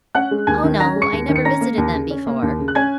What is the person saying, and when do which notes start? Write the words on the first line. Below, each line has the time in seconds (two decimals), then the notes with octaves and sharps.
"Oh, no. I never visited them before."
0.15 C#4 F#5 F#6
0.31 G#3
0.47 D#2 G#5 G#6
0.64 D#3
0.80 C#4 A#5 A#6
0.96 G#3
1.02 C#6 C#7
1.12 D#2
1.29 D#3
1.36 C#7
1.45 C#4 A#5 A#6
1.61 A#3
1.78 D#2
1.94 C#3
2.11 C#4
2.27 A#3
2.42 D#2
2.59 C#3
2.68 F#6
2.75 C#4 G#5 G#6